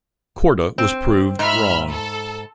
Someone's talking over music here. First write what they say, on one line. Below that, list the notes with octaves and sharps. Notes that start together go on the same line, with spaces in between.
Korda was proved wrong.
C4
G#2 E5 B5 F6
A4